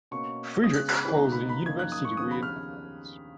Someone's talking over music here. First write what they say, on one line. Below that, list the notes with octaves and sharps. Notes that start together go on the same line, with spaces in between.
Friedrich holds a University degree in Economics.
B2 A#3 C#4 C#6
C#3 G#3 B3 D#6
F#6
F#6
B5
C#2 B2 A#3 D#4 A#5
B5
B5
F#2 F3 A#3 D#4 G#6
F#6
D#6
C#6
D#2 C#3 F3 B3 D#6
B5
F6